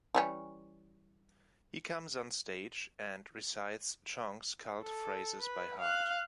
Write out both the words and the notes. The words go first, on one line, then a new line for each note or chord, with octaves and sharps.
He comes on stage and recites Chong's cult phrases by heart.
E3 G3 C#4
A4
B4
F5 F#6